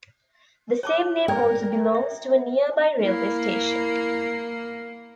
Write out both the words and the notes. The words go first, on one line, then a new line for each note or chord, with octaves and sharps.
The same name also belongs to a nearby railway station.
C#5 A5 D6
A#4 D5 G5
E5
A#3 E4